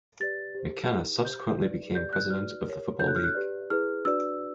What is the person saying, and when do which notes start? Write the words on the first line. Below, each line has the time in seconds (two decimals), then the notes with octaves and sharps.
McKenna subsequently became President of the Football League.
0.20 G4 B4 D5 A6
0.55 G4 C5
0.90 D#4 G4 A#4
1.25 G4 C5 G6
1.60 D#4 F#4 B4 D5
1.95 G4 B4 D5 G6
2.13 F#6
2.30 D#4 F#4 B4 D5 F6
2.65 G4 A#4 C#5
3.00 D4 F#4 A4 C#5 G6
3.07 F#6
3.16 F6
3.24 F#6
3.35 G4 B4 D5
3.70 E4 G#4 B4 F6
4.05 D4 F#4 B4 D5 E6